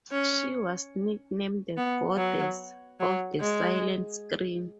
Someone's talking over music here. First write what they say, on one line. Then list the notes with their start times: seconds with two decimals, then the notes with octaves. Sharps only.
She was nicknamed "The Goddess of the Silent Screen".
0.12 C#4
1.77 B3
2.17 F#3
3.00 F#3
3.40 G#3